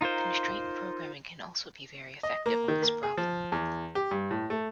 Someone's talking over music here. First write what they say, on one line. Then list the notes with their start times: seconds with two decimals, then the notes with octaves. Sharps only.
Constraint programming can also be very effective on this problem.
0.01 D#4 F4 A#4 C5
2.23 D#5
2.46 A#3
2.68 D#3
2.82 A#3
3.03 G#4
3.17 F3
3.52 E2
3.95 G4
4.11 G2
4.31 A2
4.50 A3